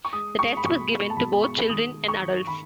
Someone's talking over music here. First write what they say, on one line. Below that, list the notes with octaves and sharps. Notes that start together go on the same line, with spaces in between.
The test was given to both children and adults.
C#6
G#3 D#6
G#3 C#6
B5
B2 C#6
G#3 B5
A5
B2 B5
G#3 C#6
D#3 D#6
G#3
C#6
D#3
D#3 B5